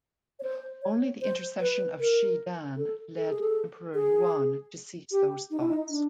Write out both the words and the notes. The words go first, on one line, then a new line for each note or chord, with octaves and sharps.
Only the intercession of Shi Dan led Emperor Yuan to cease those thoughts.
C#5
C5
C#5
C5
B4
A#4
A4
A4
G#4
A4
G#4
G4
D#4
E4
D#4
D4